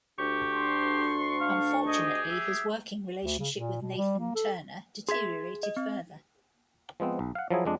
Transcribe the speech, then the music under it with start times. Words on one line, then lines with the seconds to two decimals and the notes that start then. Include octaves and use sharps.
Unfortunately, his working relationship with Nathan-Turner deteriorated further.
0.19 D2 D4 G4 C#6
0.53 C6
1.40 F5
1.87 G4 G#4 D#5
2.30 E5
3.24 D2
3.39 C#3
3.55 A#2
3.81 B2
3.97 G3
4.19 A#3
4.35 A4
5.08 G#4 E5 C6 G#6 B6
5.63 D#5
5.77 C4
7.00 F3 G#3 B3 C4
7.19 B1
7.35 F5 F#5
7.51 F3 F#3 E4 G#4
7.65 F2 G#3 D4